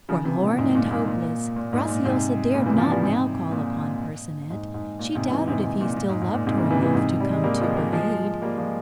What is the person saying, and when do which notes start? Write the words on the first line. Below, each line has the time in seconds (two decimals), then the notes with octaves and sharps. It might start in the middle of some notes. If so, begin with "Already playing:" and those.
Forlorn and hopeless, Graciosa dared not now call upon Percinet; she doubted if he still loved her enough to come to her aid.
0.09 C#3 F3
0.25 C3 E3
0.42 A#2
0.58 G#2
0.75 A#2
0.91 G#2
1.08 A#2
1.56 A#2
1.73 G#2
1.89 A#2
2.05 G#2 C3
2.54 A#2 C#3
2.66 C3 E3
2.78 C#3 F3
2.90 E3 G3
3.03 G#2 C3
3.52 A#2
4.50 G#2
4.74 G#2
4.99 A#2
5.15 G#2 C3
5.32 C3 E3
5.48 G#2 C3
5.64 G#2
5.81 A#2
5.97 A#2
6.09 G#2
6.21 G#2
6.34 A#2
6.46 G#2 C3
6.58 A#2 C#3
6.70 C3 E3
6.83 C3 E3
6.95 G#2 C3
7.20 G3
7.32 G#3
7.44 G3 A#3
7.60 F3 G#3
7.76 G3 A#3
7.93 F3 G#3
8.42 G3 A#3
8.58 F3 G#3